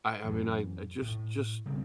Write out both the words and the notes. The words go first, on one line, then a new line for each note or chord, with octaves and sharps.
I I mean, I I just just
F#2 E3
A2
C#3 G3 B3 C4